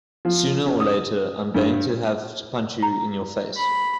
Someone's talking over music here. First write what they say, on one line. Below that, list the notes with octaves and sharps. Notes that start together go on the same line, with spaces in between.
Sooner or later I'm going to have to punch you in your face.
F3
C#4
D#6
G2
A#5
B5